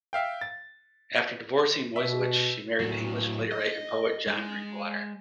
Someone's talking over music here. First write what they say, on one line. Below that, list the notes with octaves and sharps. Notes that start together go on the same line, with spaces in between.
After divorcing Moiseiwitsch, she married the English playwright and poet John Drinkwater.
E5 F5 G5
A6
B2 E5
A2 F#3
D#5
G#3